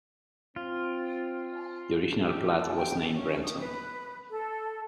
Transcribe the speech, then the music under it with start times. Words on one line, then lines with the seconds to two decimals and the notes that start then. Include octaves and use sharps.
The original plat was named Brenton.
0.56 C4 F4
2.21 G4
2.55 A4
2.76 G5
3.14 C#4
3.43 D#6
3.60 B4
4.30 A4